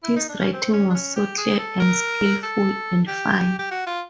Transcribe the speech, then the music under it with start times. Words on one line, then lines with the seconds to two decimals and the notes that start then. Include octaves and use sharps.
His writing was so clear, and skillful, and fine.
0.04 E4
0.16 D#4
0.29 D4
0.40 C#4
0.53 C4
0.73 C#4
0.90 D4
0.94 C#4
1.16 G4
1.38 G#4
1.58 A4
1.80 A#4
2.43 A4
3.08 G4
3.59 G4
3.71 F#4
3.87 F4